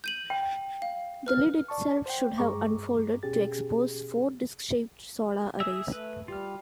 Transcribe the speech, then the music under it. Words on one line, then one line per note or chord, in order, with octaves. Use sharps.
The lid itself should have unfolded to expose four disk-shaped solar arrays.
G6 D#7 F#7
G5
F5
B4 F6
D5 A5 C#6
C5 F#5 G5
G2 G#3 A#5 C#6 D6
B2 C#4 G4 G#4 A6
G#4 E5 E6
A3 B4
G3 F4 G4 F6